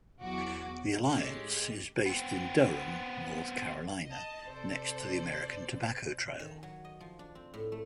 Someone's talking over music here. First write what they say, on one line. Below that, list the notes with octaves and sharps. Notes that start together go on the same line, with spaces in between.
The Alliance is based in Durham, North Carolina, next to the American Tobacco Trail.
E2 F#3 F#4 D6
A2 G#3 C#4 G4 A4 C#5
B3 C4
D#5 A5
C3 A4 C5 D5
D#3
F#3
D#5
F3
D4
C4
A2
A3